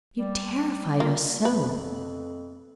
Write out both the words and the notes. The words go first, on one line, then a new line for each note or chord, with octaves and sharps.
You terrified us so.
G3
A#3 F4
F2 B4